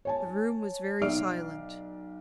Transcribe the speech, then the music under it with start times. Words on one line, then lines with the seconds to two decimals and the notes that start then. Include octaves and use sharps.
The room was very silent.
0.05 C#5 G#5 A5
1.01 B1 D5 E5 F6 C7 D7